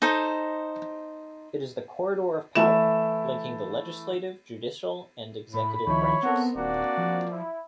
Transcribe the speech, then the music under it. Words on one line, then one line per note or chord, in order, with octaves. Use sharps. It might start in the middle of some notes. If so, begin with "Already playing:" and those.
It is the corridor of power, linking the legislative, judicial, and executive branches.
D#4 A4 C5
E3 A3 E4 E7
A2 B5
C#2 D#3 F3 E4 C#5
B3 C4 A4 A#4 F#5
D#1 A#3 D4 F#4 D5
F3
E4